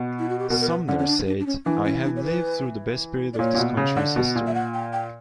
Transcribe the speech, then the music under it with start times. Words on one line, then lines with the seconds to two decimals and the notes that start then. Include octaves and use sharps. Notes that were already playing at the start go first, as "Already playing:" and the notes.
Sumner said, I have lived through the best period of this country's history.
Already playing: B2
0.19 E4
0.29 F#4
0.39 G4
0.50 B2 A#4
0.61 A#4
0.69 B4
0.88 D3 C#4
0.99 C#4
1.07 D4
1.27 D4
1.40 D4
1.46 C#4
1.65 E3 D4
1.85 C#4
2.04 D4
2.16 C#5
2.24 B4
3.34 D5
3.39 A#2 C#5
3.55 A#2
3.58 B2
3.77 C#3
3.96 D3 F#5
4.16 B2
4.35 A#2
4.47 E5
4.54 F#5
4.74 G5
4.93 G5